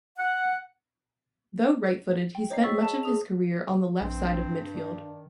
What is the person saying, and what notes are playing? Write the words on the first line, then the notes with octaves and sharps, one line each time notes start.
Though right-footed, he spent much of his career on the left side of midfield.
F#5
G5
C5 C#5 D#5 A#5 C7
G#4 C#6 E6 A6 B6
A5
G#4 D#6 F7
A#1 G2 C4
D#3 D4